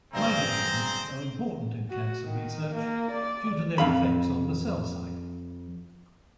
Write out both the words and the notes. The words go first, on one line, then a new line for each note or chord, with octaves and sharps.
Mitogens are important in cancer research due to their effects on the cell cycle.
B1 G2 D3 C4 G#4 C5 A#5
F#4
D#3
A#3
D5
F2 F5 B5